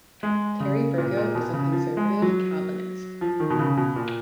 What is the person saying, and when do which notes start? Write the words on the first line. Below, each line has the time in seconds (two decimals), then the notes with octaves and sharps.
Terry Virgo is a conservative Calvinist.
0.23 G#3
0.60 C#3
0.98 A#2
1.17 A#2
1.35 B2
1.53 C#3
1.72 F3
1.97 G#3
2.22 F#3
3.21 F3
3.40 D#3
3.50 B2
3.59 C#3
3.77 B2
3.96 A#2